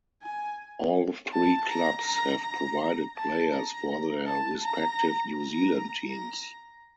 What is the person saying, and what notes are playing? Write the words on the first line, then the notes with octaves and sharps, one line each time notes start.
All three clubs have provided players for their respective New Zealand teams.
G#5
A5
A#5
A#5
A#5
A5
A#5
A5
A#5
A#5
A#5